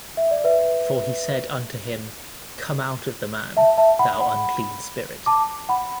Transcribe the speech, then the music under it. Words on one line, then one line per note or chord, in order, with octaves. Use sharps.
For he said unto him, Come out of the man, thou unclean spirit.
E5
D5
B4 E5
E5 A5
E5 A5
F#5 B5
F#5 B5
A5 D6
F#5 B5